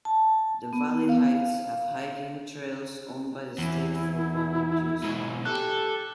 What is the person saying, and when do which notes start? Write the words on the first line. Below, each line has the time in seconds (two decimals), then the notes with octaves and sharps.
The valley heights have hiking trails owned by the state for public use.
0.05 A5
0.73 B3
1.09 F5
3.58 E2 E4
5.03 G#2 B2
5.45 G4 A4 F#6